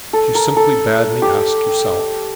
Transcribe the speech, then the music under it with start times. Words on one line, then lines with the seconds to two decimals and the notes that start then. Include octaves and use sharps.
She simply bade me ask yourself.
0.13 A4
0.35 A#4
0.57 A4
1.22 G4